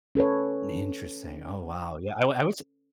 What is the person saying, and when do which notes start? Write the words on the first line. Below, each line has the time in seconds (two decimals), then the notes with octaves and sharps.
Interesting. Oh wow. Yeah, I wi I wish
0.15 C#4 A4 B4 C#5